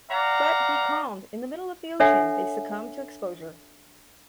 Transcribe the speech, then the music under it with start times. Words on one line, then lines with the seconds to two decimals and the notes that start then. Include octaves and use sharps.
But becalmed in the middle of the ocean, they succumb to exposure.
0.11 D5 F5 F#5 A#5
2.00 D4 A4 C#5 E5 F#5 G#5